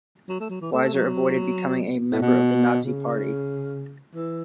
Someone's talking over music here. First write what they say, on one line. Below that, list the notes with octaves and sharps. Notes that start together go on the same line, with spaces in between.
Weiser avoided becoming a member of the Nazi Party.
F#3
A3
F#3
E3
A3
F#3
A2
B2
C#3
E3